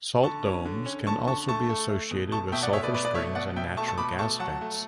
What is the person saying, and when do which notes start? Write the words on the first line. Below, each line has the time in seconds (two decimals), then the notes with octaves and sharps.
Salt domes can also be associated with sulfur springs and natural gas vents.
0.23 D3 A5 C#6
0.45 C#4
0.65 D3
0.86 C#4
1.06 D3 A5 C#6
1.27 D3 A5 C#6
1.48 A3 A5 C#6
1.69 A3
1.90 A3
2.11 B2
2.32 A3 A5 C#6
2.52 B2 E5 G5
2.63 D5 F#5
2.73 A3 C#5 E5
2.83 B4 D5
2.94 B2 B4 D5
3.05 B4 D5
3.14 A3 C#5 E5
3.35 B2 D5 F#5
3.56 B2 E5 G5
3.77 A3 A5 C#6
3.88 A5 C#6
3.98 B2 B5 D6
4.19 A3 A5 C#6
4.40 F#3 F#5 A5
4.61 A3